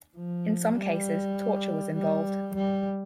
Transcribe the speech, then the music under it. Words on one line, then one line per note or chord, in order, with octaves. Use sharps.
In some cases torture was involved.
F3
G3
G3
G3